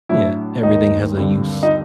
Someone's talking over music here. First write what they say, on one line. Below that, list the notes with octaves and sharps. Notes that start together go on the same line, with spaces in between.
Yeah, everything has a use
A2 F#3 A3 D4 E4
D#2 D#3 G#3 D#4
G2 D3 G3 C4
D#4